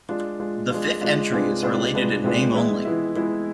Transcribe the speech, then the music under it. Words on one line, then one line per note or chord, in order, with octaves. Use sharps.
The fifth entry is related in name only.
G#3 D4 F4
G#3 D4 F4
G#3 D4 F4
G#3 D4 F4
C3 G#3 D4 F4 B4
C3 G#3 D4 F4 B4
C3 G#3 D4 F4 B4
C3 G#3 D4 F4 B4
E3 G#3 B3 E4
E3 G#3 B3 E4
E3 G#3 B3 E4